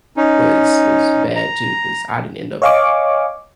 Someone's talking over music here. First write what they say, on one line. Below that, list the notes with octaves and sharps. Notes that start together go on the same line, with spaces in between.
Was was bad too 'cause I didn't end up
C#4 D#4
A#5
C#5 D#5 F5 G#5 C#6 D6